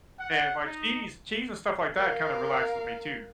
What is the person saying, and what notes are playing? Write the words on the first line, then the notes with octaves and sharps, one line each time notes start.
and, like, cheese cheese and stuff like that, kinda, relaxes me, too.
F#5
D#4
A#4 F5